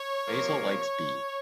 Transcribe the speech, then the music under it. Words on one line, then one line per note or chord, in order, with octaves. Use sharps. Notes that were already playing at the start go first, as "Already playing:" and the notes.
Basil likes Bee.
Already playing: C#5
C3 F3 A#3